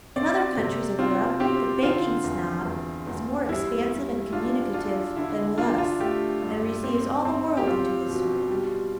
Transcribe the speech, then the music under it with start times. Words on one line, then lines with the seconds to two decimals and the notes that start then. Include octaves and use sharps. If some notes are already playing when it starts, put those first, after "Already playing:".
In other countries of Europe, the Banking Snob is more expansive and communicative than with us, and receives all the world into his circle.
0.16 C4 D5
0.57 C3
0.99 C4 F4
1.40 C4 G4
1.82 D3 F4
2.24 E2
2.65 E2
3.07 E2
3.49 G3 E4
3.91 G3
4.33 D4 F4
4.74 D4 F4
5.16 D3 E4
5.58 D4 F4
5.78 F4
6.00 A3 G4
6.42 G2
6.84 C4
7.25 C4
7.57 G4
7.67 C4 F4
8.09 B2
8.50 G3